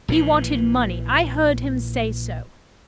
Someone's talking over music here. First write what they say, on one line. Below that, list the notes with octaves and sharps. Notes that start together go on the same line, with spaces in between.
He wanted money; I heard him say so.
A#1 A#2 D#3 E3